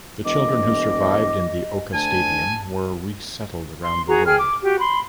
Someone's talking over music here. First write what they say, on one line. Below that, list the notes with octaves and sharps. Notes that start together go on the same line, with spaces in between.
The children who survived in the oca stadium were resettled around the world.
E1 D#5 D6
D2 G#5 A5
C6
F#4 G#4 A#5
G#4 G5 F6
D6
F#4 G4
B5 C6